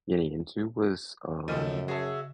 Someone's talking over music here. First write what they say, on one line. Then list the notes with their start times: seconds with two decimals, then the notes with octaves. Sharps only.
getting into was, um,
1.48 F#2 C#3 F3 A3 A4 D#5
1.88 F#4 G#4 C#5 E5 A5